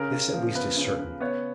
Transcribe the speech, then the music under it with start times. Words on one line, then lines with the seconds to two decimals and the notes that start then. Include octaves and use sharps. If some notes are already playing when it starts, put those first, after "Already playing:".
This at least is certain.
Already playing: C#3 A#4
0.12 C#3
0.34 F3
0.55 B3 B4
0.77 C#3
0.99 C#3
1.20 B3 C#5